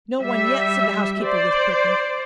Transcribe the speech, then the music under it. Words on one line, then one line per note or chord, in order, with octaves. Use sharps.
"No one yet," said the housekeeper, with quickness.
G3 E5
C5 D5